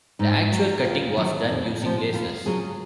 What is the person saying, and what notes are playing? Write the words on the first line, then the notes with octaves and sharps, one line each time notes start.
The actual cutting was done using lasers.
G#2 D#4
F#3 D#4
D#2 F4
D#3 F#3
F2
C3 F3
D#2 F4
C#3 F#3 G#4